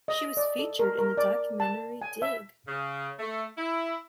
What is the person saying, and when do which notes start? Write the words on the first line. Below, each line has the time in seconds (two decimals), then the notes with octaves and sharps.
She was featured in the documentary Dig!
0.08 D#5
0.37 D5
0.59 A4
0.79 A#4
0.98 A#4
1.17 D5
1.60 A5
2.02 G#5
2.22 E5
2.68 C#3
3.19 A3
3.58 E4